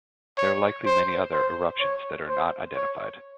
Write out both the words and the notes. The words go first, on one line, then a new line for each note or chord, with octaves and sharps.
There are likely many other eruptions that are not identified.
C#5
C5
C5
C#5
C5
C#5